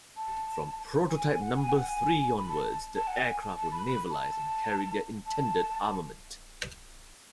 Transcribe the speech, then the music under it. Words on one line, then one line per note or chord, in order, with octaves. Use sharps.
From prototype number three onwards, the aircraft were navalised and carried their intended armament.
A5
G#5
G#5
F#5
G#5
F#5
G#5
B5
A5
A5
F#5
G#5
A5
A5
B5
B5
A5
A5